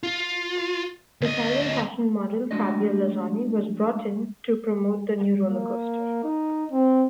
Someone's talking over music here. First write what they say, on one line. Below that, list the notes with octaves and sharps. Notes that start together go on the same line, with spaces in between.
Italian fashion model Fabio Lanzoni was brought in to promote the new roller coaster.
F4
D2 D#5
G#3 A3 D4 F#4 D5 D#5
A#3
D#4
C4